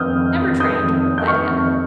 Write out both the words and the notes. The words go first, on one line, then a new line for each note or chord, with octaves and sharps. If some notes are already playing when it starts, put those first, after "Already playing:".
"Never trained," replied Henry.
Already playing: F2 D#3 D#6 F6 G6
F2
F2
D#3 D#6 G6
F2
D#3
G6
D#3 C#6 F6
F2